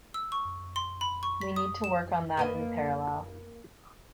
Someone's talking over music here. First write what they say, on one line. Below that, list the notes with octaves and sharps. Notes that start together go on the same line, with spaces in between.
We need to work on that in parallel.
E6
C#6
C6
B5
C#6
B6
D#6
E7
A#3 B4 D#5